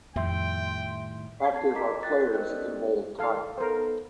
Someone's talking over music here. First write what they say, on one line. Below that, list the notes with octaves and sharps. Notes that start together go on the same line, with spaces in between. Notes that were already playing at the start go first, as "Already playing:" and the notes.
Active are players in bold type.
F2 A2 D#3 G3 E5 G5 C6
C4 A5 G#6 C7
A#4 D#5 A#5 D6 B6
F4 G5 F#6 A6
A#4 C5 D#5 G5 F#6
B3 C#4 D#4 G4 A4 D5
D#3 A4 F5
B3 D#4 A4 A#4 C5